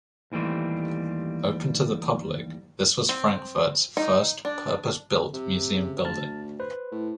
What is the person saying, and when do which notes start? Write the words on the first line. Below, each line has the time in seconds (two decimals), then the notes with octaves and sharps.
Open to the public, this was Frankfurt's first purpose-built museum building.
0.32 D#2 E3 G3 A3 C4
3.09 C4
3.97 D#4
4.45 D4
5.34 C3
5.74 C#3
6.05 D2 A5 F6 A6
6.60 B4 C5
6.92 A2